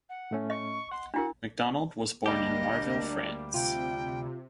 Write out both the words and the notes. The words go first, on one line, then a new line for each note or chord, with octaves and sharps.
McDonald was born in Marville, France.
F#5
A2 A3 C#4
D#5 C#6
F#5 C6
D4 E4 F#4 A#4 F#5
D2 G3 A#3 D4 G4 D#5
C3 F4 G5